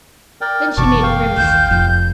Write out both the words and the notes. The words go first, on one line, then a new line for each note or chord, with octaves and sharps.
Then she made a grimace.
A#4 D5 G5
F#1 B2 E3 A5 C#6 D6
F5 G5
A1 D#2 G6
F1 F2 G6